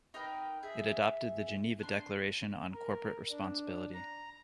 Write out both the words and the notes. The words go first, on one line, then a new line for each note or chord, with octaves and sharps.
It adopted the Geneva Declaration on corporate responsibility.
D#4 A#4 B4 G5
G#4 E5
D4 C6
A#4
D4
A#5